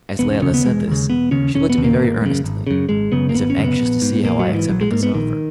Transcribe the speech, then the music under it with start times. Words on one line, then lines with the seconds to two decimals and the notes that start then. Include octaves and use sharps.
As Layelah said this she looked at me very earnestly, as if anxious to see how I accepted this offer.
0.19 E1 B3
0.30 C#4
0.42 D#2 C#3 C#4
0.54 B3
0.65 E1 G#3
0.88 D#2 C#3
1.09 E1 B3
1.31 D#2 C#3 C#4
1.54 E1 C#4
1.70 B3
1.77 D#2 C#3
1.84 A#3
1.99 G#1
2.21 F#2 C#3
2.44 G#1
2.67 F#2 C#3
2.89 G#1 G#3
3.12 F#2 C#3 B3
3.29 A#3
3.34 G#1 B3
3.50 C#4
3.57 F#2 C#3
3.64 B3
3.80 A#1
4.02 G#2
4.24 A#1 A#3
4.39 F#3
4.47 G#2
4.54 E3
4.68 A#1 F#3
4.81 G#3
4.91 G#2 A#3
5.03 B3
5.14 A#1 D#3